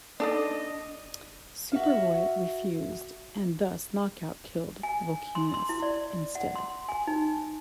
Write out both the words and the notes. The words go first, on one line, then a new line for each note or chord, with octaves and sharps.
Superboy refused, and thus Knockout killed Volcanus instead.
D4 D#4 A4 D5 D#5
F#4 E5 F5
G#5
C6
C6
E4
D5
F#5
C6
G#5
D#4